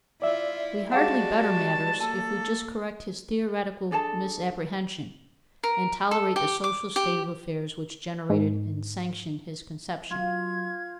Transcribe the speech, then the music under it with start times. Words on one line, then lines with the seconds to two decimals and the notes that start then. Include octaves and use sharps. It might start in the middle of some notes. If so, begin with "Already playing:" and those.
We hardly better matters if we just correct his theoretical misapprehension, and tolerate the social state of affairs which generated and sanctioned his conception.
0.22 E4 F4 D5 E5
0.92 G3 G#3 F#4 G#4 F5 F#5 A5
2.00 A#3 A4 A5
3.91 D4 G#4 A4 A5
5.63 A#4
6.11 A4
6.36 G4
6.64 D6
6.96 G4
8.30 G#2
10.11 F#3 F4 G#6